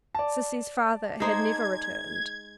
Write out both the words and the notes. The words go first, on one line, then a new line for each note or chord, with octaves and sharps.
Sissy's father had never returned.
D5 A5
G#3 D#4 C5 G#6